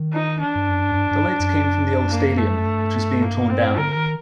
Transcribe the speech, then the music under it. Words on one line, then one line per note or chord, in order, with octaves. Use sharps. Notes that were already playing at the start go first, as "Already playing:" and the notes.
The lights came from the old stadium, which was being torn down.
Already playing: D#3
D#4
D4
G2
F#2
G2
F#2
G2
G2
F#2
A#3
A3
G2
A#3
C4
D3 A#4
D#3